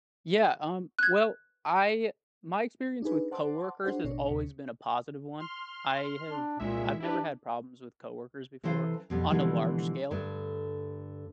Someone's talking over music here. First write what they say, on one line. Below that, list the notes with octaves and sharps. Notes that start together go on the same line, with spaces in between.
Yeah. Um. Well, I my experience with coworkers has always been a positive one. I have I've never had problems with coworkers before on a large scale.
F#6 G#6
D4 D#4 G#4 B4
C5 F#5 A5 C6 D6
D4 F#4 G#4 C5 F#5
A1 B2 D4 C#5
D2 C3
C6 F6
D4
C2 A#2 G#3 E5
D4 E4 G4 B4
C3 E3 E4 A4 C5 F5
F2 B2 G3
B2 D3 E3 F3 G3 G#3
G2 D3 A3 D4